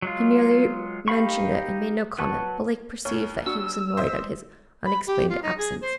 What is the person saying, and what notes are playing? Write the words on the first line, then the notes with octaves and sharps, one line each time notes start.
He merely mentioned it, and made no comment; but Lake perceived that he was annoyed at his unexplained absence.
F#3 G#3 F4
D#4 G4 F5 B5 C#6
F#3 B4 F#5 A5 C#6
D#2 C#5
D4 F#4 C#6 E6
C5 D#5 E5
B5
G4
F4
D#4
G#4
C5